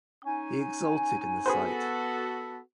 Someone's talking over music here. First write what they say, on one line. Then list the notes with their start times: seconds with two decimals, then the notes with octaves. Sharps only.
He exulted in the sight.
0.24 C#4 D#4 G#5
1.46 B3 F#4 G#4 A4 B4 C5